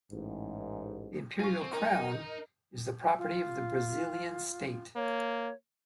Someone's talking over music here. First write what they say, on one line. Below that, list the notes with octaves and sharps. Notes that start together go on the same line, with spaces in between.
The Imperial Crown is the property of the Brazilian State.
A1 G#2
F4 G#5 C#6
C4
D#4 A#4
F4
A#3 C#5